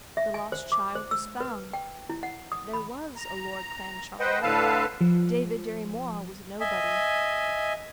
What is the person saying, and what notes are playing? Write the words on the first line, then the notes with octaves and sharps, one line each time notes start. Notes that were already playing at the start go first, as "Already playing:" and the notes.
The lost child was found. There was a Lord Clancharlie; David Dirry-Moir was nobody.
E5
G#5
C5
D6
C5
E6
B4
G5
E4
F#5
D#6
B5
A#5
B4 C5 D#5 F#5 G5
A2 D3 A4 B4 F5 A5
F3
D#5 E5 G#5